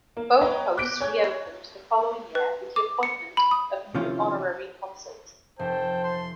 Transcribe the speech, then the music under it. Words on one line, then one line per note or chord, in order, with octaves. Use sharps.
Both posts reopened the following year with the appointment of new honorary consuls.
A#3
B4 C#5 D#5 G5 A#5
D6 F#6 G6 A#6 B6 D7
C#5 G#5 G6 G#6
B4
D6
C#7
B5
D#6
C3 D#3 F3 C#4 E4 F4
F1 C5 G5 A5
C6